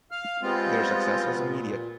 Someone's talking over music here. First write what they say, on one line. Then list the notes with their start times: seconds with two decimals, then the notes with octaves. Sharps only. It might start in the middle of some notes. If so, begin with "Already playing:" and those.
Their success was immediate.
0.11 F5 F6
0.42 G3 G#3 B3 C4 F4
1.22 B2 F3 B3 F4
1.37 A#2